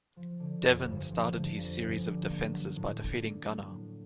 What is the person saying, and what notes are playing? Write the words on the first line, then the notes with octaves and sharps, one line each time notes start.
Devon started his series of defenses by defeating Gunner.
F3
D3
F2
G1
F3
D3
F2
G1
D4
A#3
F#3
A2
D4
A#3
F#3
A2